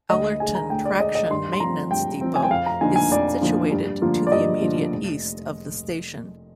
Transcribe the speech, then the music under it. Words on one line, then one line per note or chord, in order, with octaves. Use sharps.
Allerton Traction Maintenance Depot is situated to the immediate east of the station.
D2 D#5
D3 G#3 D4 G#5
A#5
D2 G5
D5
D3 G#3 D4 D#5
D#5
G2 C6
C6
F3 C4 A#5
G2 G5
F3 C4
G#5
G5
F2 F5
A#5
D3 F3 A#3 D#4 G#5
G#5
F2 D5
D3 F3 A#3 D#4
G2
D3 F3 A#3 F4
D5
G2 D#5
D3 F3 A#3 F4
F1